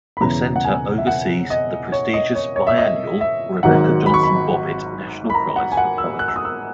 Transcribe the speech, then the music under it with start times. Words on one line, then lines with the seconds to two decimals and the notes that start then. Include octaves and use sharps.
The center oversees the prestigious biannual Rebekah Johnson Bobbitt National Prize for Poetry.
0.17 B5
0.21 E1 E2 C#3 E3 A#5
0.56 F#5
0.65 G#5
0.98 E5
1.07 F#5
1.50 D#5
1.92 C#5
2.14 D#5
2.35 C#5
2.56 C#5
2.67 E5
2.78 D#5
3.21 E5
3.63 G#1 G#2 D#3 F#3 F#5
4.06 B5
4.14 C#6
4.23 B5
5.30 B5
5.34 A#5
5.56 F#5
5.72 G#5
5.77 F#5
5.98 E6
6.19 F#6
6.28 E6
6.36 D#6
6.45 E6